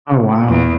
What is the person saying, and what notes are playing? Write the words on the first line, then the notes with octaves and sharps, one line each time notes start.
Oh, wow.
E2